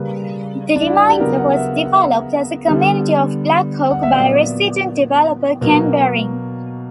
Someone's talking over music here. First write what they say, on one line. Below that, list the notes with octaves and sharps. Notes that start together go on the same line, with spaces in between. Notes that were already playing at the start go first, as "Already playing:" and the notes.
The remainder was developed as the community of Blackhawk by resident developer Ken Behring.
Already playing: C#3 G3 A#3 B4
D4
E4
F#4
G4
C#3 F#3 B3 A#4
F#5
E5
E5
F#5
E5
D3 G3 B3
F#5
E5
A#2 F#3 B3 D5
B2 F#3 A#3